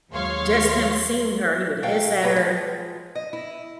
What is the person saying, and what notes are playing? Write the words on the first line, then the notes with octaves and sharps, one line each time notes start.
Just him seeing her, he would hiss at her,
D#2 F#3 G#3 C#5 F5 C6
A#2 A3 F5 G5
A3 G4 B4
F3 G#3
D#5
E4